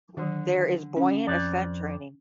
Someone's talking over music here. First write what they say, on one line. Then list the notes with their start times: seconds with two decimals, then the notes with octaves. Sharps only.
There is buoyant ascent training.
0.17 D3 D#3 F#3
0.97 C#4
1.27 F2 D5